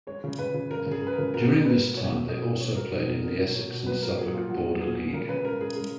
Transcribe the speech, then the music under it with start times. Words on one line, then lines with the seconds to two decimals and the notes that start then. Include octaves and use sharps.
During this time they also played in the Essex and Suffolk Border League.
0.07 G#3 C#5
0.24 C#3
0.39 C#3 B4
0.54 C#3
0.70 C#3 A#4
0.86 C#3
0.91 G#4
1.02 G#3 B4
1.13 A#4
1.18 C#3
1.34 B2 A#4
1.50 G#3
1.65 G#3 B4
1.82 G#3
1.97 B2 C#5
2.13 G#3
2.28 B2 D#5
2.44 B2
2.60 B2 C#5
2.76 B2 A#4
2.92 B2 D#4
3.08 B2 G#4
3.23 B2 A#4
3.39 B2
3.55 B2 C#5
3.71 B2
3.86 F#3 B4
4.02 A#2 A#4
4.18 F#3 G#4
4.34 A#2 F4
4.50 F#3 F#4
4.66 F#3
4.81 A#2 G#4
4.97 A#2
5.13 C#3 A#4
5.29 C#3 B4
5.45 G#3 A#4
5.61 G#3 G#4
5.76 G#3